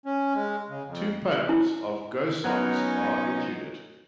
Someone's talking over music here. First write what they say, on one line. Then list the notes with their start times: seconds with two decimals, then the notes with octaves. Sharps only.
Two poems of Gosson's are included.
0.06 C#4
0.34 G#3
0.69 C#3
0.86 F2
1.49 E4
2.44 F#3 B3 C#4 D#4 A#4